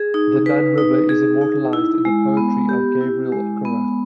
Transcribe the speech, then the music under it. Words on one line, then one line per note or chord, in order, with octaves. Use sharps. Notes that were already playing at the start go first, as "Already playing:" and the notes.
The Nun River is immortalised in the poetry of Gabriel Okara.
Already playing: G#4
D#4
B4
D#4
G#4
D#4
E4
G#3
B3
G4
E4
G#3
B3